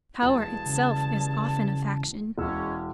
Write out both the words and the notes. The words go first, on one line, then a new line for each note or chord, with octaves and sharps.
Power itself is often a faction.
E1 G2 G#4 A5
C#3
E1 G#3 C#4 E6